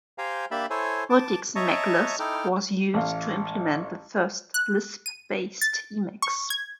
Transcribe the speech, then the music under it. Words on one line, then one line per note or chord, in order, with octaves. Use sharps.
Multics Maclisp was used to implement the first Lisp-based Emacs.
G4 C5 F5 G5 G#5 A#5
A#3 D4 G4 E5 A5 B5
E4 A4 C5 C#5 G#5
A5 D6
C#5 D#5 E5 A5 A#5 C#6
D#4 E4 A4 G5 D6 F6
A1 F5
F#6
D#7
A6
C#6
G#6